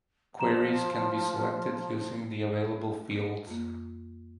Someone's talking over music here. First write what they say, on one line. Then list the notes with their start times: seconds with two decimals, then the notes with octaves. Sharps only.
Queries can be selected using the available fields.
0.39 F3 A#5 E7
3.47 F2 A#3